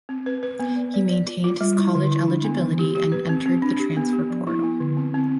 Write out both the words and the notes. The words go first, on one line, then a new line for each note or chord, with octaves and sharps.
He maintained his college eligibility and entered the transfer portal.
C4
B4
B4
B3
D5
D5
D5
F4
F4
G3
E4
D3
E4
D4
B3
E3
G4
G4
B4
C4
C4
D4
G4
B3
G4
F3
E4
B3
D3
C4
C4